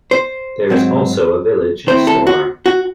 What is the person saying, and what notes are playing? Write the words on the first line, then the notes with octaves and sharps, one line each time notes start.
There is also a village store.
C5
G#2 F#3 C4
D#3 A3 C4 E4 C5
A4
F#4
F#4